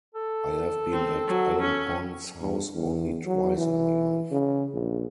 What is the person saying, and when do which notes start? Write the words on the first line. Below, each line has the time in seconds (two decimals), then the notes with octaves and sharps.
I have been at Ellen Pond's house only twice in my life.
0.15 A4
0.92 C4
1.27 F#3
1.61 C#4
2.41 G2
2.75 E2
3.26 F#3
3.57 E3
4.32 C#3
4.74 A#1